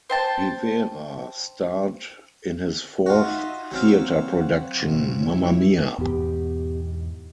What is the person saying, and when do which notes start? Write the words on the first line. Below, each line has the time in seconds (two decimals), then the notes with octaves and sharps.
Rivera starred in his fourth theater production, Mamma Mia!
0.10 C5 G5 A5
3.06 D#4 F4 F#4 D#5 E5
3.71 F#3 C4 F#4 F5
4.12 F#5
4.80 F#2 B2
5.12 E4 C#5 E5
5.98 E2 G#2 B2 B3 G4